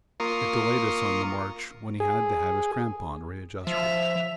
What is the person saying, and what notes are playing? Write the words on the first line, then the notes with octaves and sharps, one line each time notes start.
It delayed us on the march, when he had to have his crampon readjusted.
A#3 F4 A#4 C6 C#6 D#6
G#4
F3 E5 F7